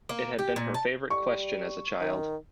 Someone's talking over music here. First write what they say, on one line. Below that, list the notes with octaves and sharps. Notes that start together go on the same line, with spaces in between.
It had been her favourite question as a child.
A#3
G4
A#2
A5
G3 C#6
D#3